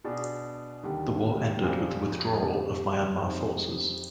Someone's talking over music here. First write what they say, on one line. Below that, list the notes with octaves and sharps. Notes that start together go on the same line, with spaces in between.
The war ended with the withdrawal of Myanmar forces.
B2 B3 D4 G#4
D#2 D3 G3
F2 C3 F3 G#3 D4
F2 D3 G3 D4 G4
F2 C3 G3 C4 D#4